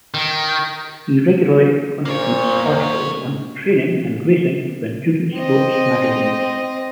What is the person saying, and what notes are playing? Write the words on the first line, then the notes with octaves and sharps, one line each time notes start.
He regularly contributes articles on training and racing for endurance sports magazines.
D#3
A#2 A#3 C5 C#5
C4 D#5